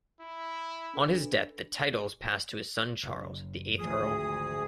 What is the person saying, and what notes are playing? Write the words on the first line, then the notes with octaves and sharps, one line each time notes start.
On his death the titles passed to his son Charles, the eighth Earl.
E4
D4 A4 B4
F#1
G#1 D2 F3 G#4 D#6